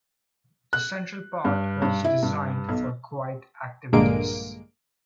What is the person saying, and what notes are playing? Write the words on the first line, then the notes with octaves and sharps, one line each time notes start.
The central part was designed for quiet activities.
F#6
G2
G2
E4
G2
B1
A#1 G2 D3 G#3 A#3 D7